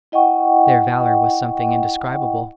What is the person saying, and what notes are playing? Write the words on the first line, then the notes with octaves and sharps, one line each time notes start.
Their valor was something indescribable.
E4 D#5 F#5 G5 C#6